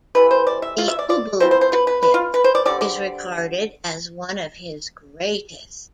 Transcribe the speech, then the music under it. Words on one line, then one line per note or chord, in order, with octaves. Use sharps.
"The Ubu diptych" is regarded as one of his greatest.
C3 E3 A3 C4 B4
C5
D5
E5
F4
E5
D5
D5
F3 C4 E4 C5
C5
C5
B4
B4
B4
F4
B4
C5
D5
D3 G3 C4 D5
D5